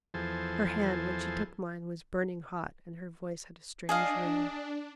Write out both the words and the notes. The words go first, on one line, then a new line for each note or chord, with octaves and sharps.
Her hand, when she took mine, was burning hot, and her voice had a strange ring.
E2 F3 G#4 A4 C5
D4 G#4 D#5 F5